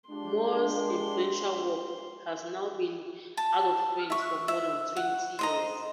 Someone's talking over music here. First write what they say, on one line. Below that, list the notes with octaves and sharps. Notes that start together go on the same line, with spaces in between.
Moore's influential work has now been out-of-print for more than twenty years.
G#3 D4 F4 G4 C6
A5
E5 C#6
E5
F#5
C5 D#5 A#5